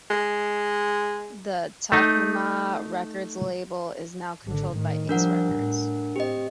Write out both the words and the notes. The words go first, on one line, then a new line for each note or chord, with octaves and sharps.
The Takoma Records label is now controlled by Ace Records.
G#3
A3 D#4
G#1 D3
A2 D#3
F3 G3 D4 A#4 F#5
A2
C4 G4 D#5